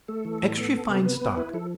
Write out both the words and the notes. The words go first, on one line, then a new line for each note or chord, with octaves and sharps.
Extry fine stock.
A3 A4
E3
A2
B3 A4
B3
C3
B3 B4
B3
E4
F3 A4